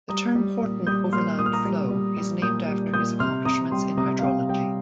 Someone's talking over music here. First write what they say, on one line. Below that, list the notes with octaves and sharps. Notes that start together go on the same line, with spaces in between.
The term Horton overland flow is named after his accomplishments in hydrology.
G3 A#5 D#6
G3
A#2
G3 D#6 G6
A#2 C6 F6
A#2 D#6
F6
A#5 D#6
G3
G3
G3
A#2 D#6 G6
G3
A#2 D#6 G6
C3 C6 F6
C3 A#5 D#6
G3 G5 C6
C3 A#5 D#6
F5
C3 G5
G3 G5